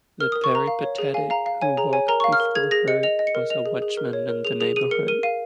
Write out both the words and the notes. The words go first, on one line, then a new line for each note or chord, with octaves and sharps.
The peripatetic who walked before her was a watchman in the neighbourhood.
A#4 F6
A#4 D#6
C#6
A#4 A#5
F5
C#5
G#4
F5 G#5
F5 A#5
F5
C#5 G#5
G#4 A#5
C#5 G#5
A#4 A#5
F5 C#6
F6
A#4
G#4 G#6
G#4 A#6
D#5 C#7
D#5 F7
D#5
C#7
A#4
D#5 F7
G#4
G#4
A#4
C#5
A#4
G#4 F7
G#4 F7
G#4 D#7
A#4 C#7
A#4 D#7
F5 D#7